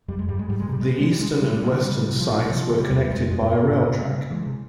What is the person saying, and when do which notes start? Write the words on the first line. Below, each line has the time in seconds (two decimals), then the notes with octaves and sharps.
The eastern and western sites were connected by a rail track.
0.08 F2 G3
0.19 G#3
0.29 G2 G3
0.39 G#3
0.48 G#2 G3
0.59 A#2 G#3
0.68 C3 G3
0.80 G#3
0.90 G3
1.00 G#3
1.11 G3
1.21 G#3
1.31 G3
1.41 G#3
1.51 G3
1.62 G#3
1.72 G3
1.89 C#3 G3
2.10 C3
2.19 F3
2.30 A#2
2.45 G3
2.50 C3 F3
2.70 C#3
2.80 G3
2.91 E2
3.10 F2 G#3
3.30 F2 G#3
3.41 G#2
3.50 G2 A#3
3.71 G#2
3.86 A#2
3.91 C3
4.03 C3
4.10 C#3
4.31 E3 G#3
4.47 C3